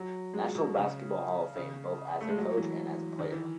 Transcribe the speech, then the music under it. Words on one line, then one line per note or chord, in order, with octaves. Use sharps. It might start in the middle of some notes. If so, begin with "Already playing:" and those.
National Basketball Hall of Fame both as a coach and as a player.
Already playing: F#3
G#3
B2
C#3
C#3
A3
G#3
F#3
E3
D#3
E3